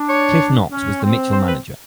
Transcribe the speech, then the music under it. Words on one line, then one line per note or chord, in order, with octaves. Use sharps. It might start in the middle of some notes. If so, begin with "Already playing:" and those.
Cliff Knox was the Mitchell manager.
Already playing: D4
C#5
C#4
C4
C5
B4